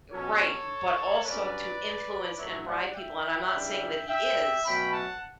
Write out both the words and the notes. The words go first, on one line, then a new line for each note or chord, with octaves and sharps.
Right, but also to influence and bribe people, and I'm not saying that he is,
B2 F#3 C#4 A4 C#5
G2 F#3 C#4 B4 D5
A2 F#3 A3 C#5 E5
D5 F#5
E5 G5
C#3 E3 G3 D4
E5 G5
B2 F#3 A3 C#4 G5 B5
F#5 A5